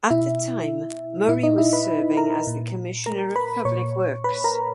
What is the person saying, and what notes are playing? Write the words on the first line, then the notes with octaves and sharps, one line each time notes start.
At the time Murray was serving as the Commissioner of Public Works.
B2 E4 E5
A#2 E4 E5
D#4 D#5
E4 E5
B4 B5
A#4 A#5
A#2
A#4 A#5
B4 B5
A#2 C#5 C#6
B4 B5
A#4 A#5